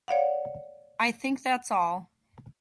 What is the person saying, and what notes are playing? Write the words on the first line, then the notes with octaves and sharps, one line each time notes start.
I think that’s all.
C#5 D5 F5 F#5